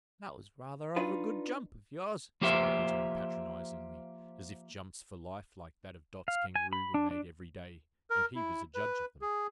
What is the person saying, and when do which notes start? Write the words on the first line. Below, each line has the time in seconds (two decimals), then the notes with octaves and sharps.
"That was rather a good jump of yours," said the Bittern, patronizingly, as if jumps for life like that of Dot's Kangaroo were made every day, and he was a judge of them!
0.96 D4 D#4 F4 B4
2.41 F3 A#3 F4 G4 C5 E5
6.28 F5
6.56 G#5
6.73 B5
6.94 D4
7.11 D4
8.10 A#4
8.35 E4
8.75 B4
9.21 G#4